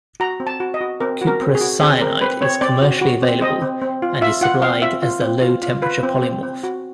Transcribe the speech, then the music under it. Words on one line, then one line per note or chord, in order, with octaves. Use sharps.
Cuprous cyanide is commercially available and is supplied as the low-temperature polymorph.
F#4 A#5
C4
A5
F#4
D#5
F#4
C4 A#4
F#4
A#4
C4
G#4
F#4
C4 G#4
C4 A#4
C4 B4
C4 C#5
C4 D5
F#4
F#4
C4
C4 D#5
C4
C4
F4
F4 E5
F4 F#5
C4 F5
F4 E5
F4
C4
F4
F4
F4 B4
C4
C4
C4
F#4